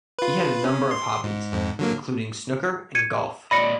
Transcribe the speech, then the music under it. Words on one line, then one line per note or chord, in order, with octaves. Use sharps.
He had a number of hobbies, including snooker and golf.
F4 B4
C#4
C6
G#2
F2 G#2
D3 F#3 A#3
G#6 C#7 D#7
A#2 D5 D#5 B5 A#6 C#7